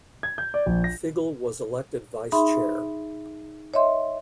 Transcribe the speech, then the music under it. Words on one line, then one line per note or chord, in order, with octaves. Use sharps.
Figl was elected vice chair.
G#6
G6
D5
A#1
A#6
D#4 G#4 E5 B5 C6
C#5 D#5 E5 C6